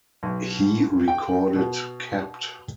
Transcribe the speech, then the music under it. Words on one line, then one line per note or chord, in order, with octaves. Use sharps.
He recorded Kapt.
B1
G5
B2